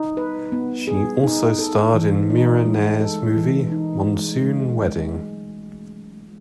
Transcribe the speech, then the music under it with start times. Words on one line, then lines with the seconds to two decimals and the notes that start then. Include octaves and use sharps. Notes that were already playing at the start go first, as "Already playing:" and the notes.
She also starred in Mira Nair's movie "Monsoon Wedding".
Already playing: D#4
0.17 B4
0.52 B3
0.87 G#4
1.24 D#4
1.59 A4
1.94 E3
2.30 D#4
2.65 G#3
3.01 A4
3.36 E3
3.72 D#4
4.07 G#3
4.43 G#3